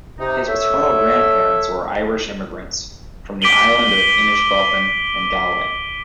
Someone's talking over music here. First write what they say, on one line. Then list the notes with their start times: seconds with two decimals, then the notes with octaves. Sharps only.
His paternal grandparents were Irish immigrants, from the island of Inishbofin in Galway.
0.19 C3 D#4
0.47 A4 C#5 E5
3.42 D6 B6 D7 D#7 F#7 G7